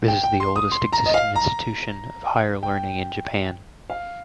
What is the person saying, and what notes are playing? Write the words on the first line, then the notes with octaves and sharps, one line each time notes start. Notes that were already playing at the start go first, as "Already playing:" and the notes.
This is the oldest existing institution of higher learning in Japan.
G5
G5
C6
D#6
C6
A#5
D#5
F5
A#5
G5
F5